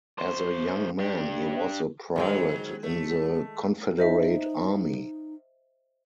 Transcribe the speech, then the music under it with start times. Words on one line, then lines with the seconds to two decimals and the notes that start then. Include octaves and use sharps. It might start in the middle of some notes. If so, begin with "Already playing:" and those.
As a young man, he was a private in the Confederate Army.
0.18 F#3 C5
1.00 D4 G4
2.16 G#2 D#3 F#3 G#3 G5
2.83 A3
3.98 D#4 C5 D#5 E5